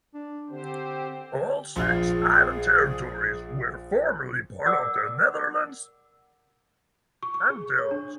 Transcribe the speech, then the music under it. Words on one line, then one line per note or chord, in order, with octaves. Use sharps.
All six island territories were formerly part of the Netherlands Antilles.
D4
D3 C4 G4 C5
A#1 F4 G#4
A#4 D5 F#5 D6 E6
C#6
C#6
G#4
C#5
D4